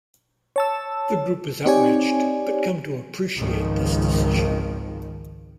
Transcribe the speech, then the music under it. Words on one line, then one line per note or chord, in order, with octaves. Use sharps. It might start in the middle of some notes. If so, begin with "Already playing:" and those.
The group is outraged, but come to appreciate this decision.
C#5 A5 E6
C4 D#4 G4 C#5 D5 G#5
G#1 C#2 D#3 F3